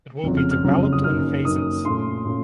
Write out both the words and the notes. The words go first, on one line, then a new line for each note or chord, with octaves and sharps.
It will be developed in phases.
F#1 F2 C#3 F#3
F6
F6
F#1 F2 C#3 F#3
D#6
F#2 D#3 A#3 C#4 F6
F#2 D#3 A#3 C#4 D#6
A#2 A3 C#4 F4 C6
A#2 A3 C#4 F4